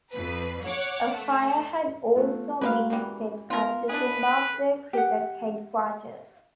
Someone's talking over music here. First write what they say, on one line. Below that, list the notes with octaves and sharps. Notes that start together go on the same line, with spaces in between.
A fire had also been set at the Zimbabwe Cricket headquarters.
F2 B4
C#5 F#5 D6
A3
A3 B3 F4
G#3 F#4 A#4 B4 E5 F5
C#3 E3 G3
B3 F4 A#4
D4 E4 G#4 B4
G4 F#5